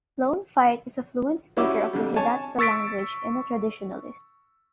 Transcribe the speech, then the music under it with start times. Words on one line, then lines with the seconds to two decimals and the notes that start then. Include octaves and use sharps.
Lone Fight is a fluent speaker of the Hidatsa language and a traditionalist.
1.57 G3 C#4 E4 F#4 D6 E6
1.93 F2 D3 G3
2.16 C#5 G#5 A5
2.59 C#6 E6 A6 B6 D7